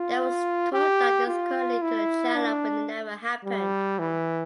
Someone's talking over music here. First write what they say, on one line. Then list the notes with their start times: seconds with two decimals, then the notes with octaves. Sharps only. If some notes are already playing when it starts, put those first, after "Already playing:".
There was talk that this could lead to a channel but it never happened.
Already playing: F4
0.73 G4
1.27 F4
1.82 E4
2.35 D4
3.45 G3
3.99 E3